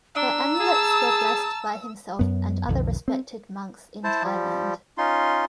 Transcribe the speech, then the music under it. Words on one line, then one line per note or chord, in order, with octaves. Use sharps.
The amulets were blessed by himself and other respected monks in Thailand.
D4 A#5 E6
G#4 A5
F#2 B3
B1 F2 D3 E3
C4
E4 C5 A5
F3 G3
C#4 D#4 F4 C6